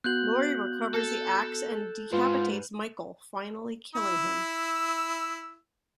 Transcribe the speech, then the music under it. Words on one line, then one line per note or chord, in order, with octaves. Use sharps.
Laurie recovers the axe and decapitates Michael, finally killing him.
B3 F#4 F#6 G6 F#7
A4
G#2 F4 B4
E4 E6